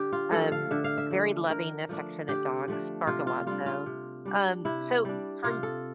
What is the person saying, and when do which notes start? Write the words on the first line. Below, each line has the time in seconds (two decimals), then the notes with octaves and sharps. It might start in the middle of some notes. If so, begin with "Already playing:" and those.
Um, very loving, affectionate dogs, bark a lot, though. Um, so, from
Already playing: D3 G4
0.12 F4
0.32 F3 A3 D4 A4
0.52 F5
0.71 D3 E5
0.84 F5
0.98 E5
1.10 F3 A3 D4
1.50 D3 A#4
1.89 F3 A3 D4
2.29 D3 G4
2.68 F3 A3 D4
3.07 C3 F4
3.27 F4
3.47 G3 D4 F4
3.66 F4
3.86 C3
4.25 G3 D4
4.65 C3 E4
5.05 G3 D4
5.44 C3 F4
5.63 A4